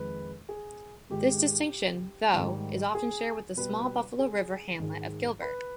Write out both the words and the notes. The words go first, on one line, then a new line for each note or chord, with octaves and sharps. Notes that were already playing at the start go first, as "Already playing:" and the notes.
This distinction, though, is often shared with the small Buffalo River hamlet of Gilbert.
Already playing: F2 D#3 G#3 B4
G#4
G#2 D#3 G#3 G4
G#2 D#3 G3
G#4
B2 G3 B4
G#4
G#2 D#3 G#3
B4